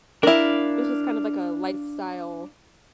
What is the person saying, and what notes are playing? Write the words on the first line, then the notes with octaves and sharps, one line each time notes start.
It's just kind of like a lifestyle
D4 E4 A#4 F5